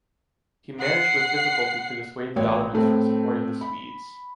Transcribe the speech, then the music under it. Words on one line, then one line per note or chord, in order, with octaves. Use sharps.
He managed with difficulty to dissuade the Ottomans from supporting the Swedes.
F#5 C7
A1 C#5 G5
A2 A3 C4
B5